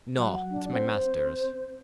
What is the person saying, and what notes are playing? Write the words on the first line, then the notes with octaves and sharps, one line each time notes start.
"No, it's my master's."
F#3 F#5
D4
C4 C5